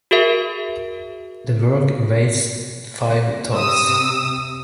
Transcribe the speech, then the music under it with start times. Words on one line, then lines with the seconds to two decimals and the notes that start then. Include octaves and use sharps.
The work weighs five tons.
0.11 F#4 G#4 A#4 E5
3.54 C3 D#6 E6